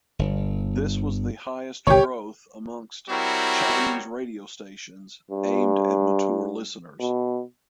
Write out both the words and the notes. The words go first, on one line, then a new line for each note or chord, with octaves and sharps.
This was the highest growth amongst Chinese radio stations aimed at mature listeners.
G1
G1 C2 D#3 G4 C#5
G3 C4 E4 F#4 A#4 C#5
G2
B2